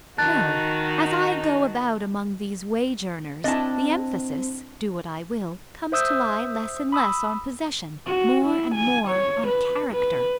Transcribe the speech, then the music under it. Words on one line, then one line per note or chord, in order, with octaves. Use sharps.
No!--as I go about among these wage-earners, the emphasis--do what I will--comes to lie less and less on possession--more and more on character.
D#3 D#4 F#4 A5 F#6 A6
C4 D4 E4 D#5 A5
C5 E5 D#6 E6 G6
B5 D#6 E6
F#4
E4
G#5
C#5
B4
B4